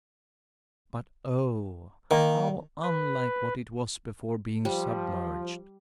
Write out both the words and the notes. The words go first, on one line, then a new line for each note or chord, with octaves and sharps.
But, oh! how unlike what it was before being submerged!
D#3 A#3 A#4
B4
F3 G3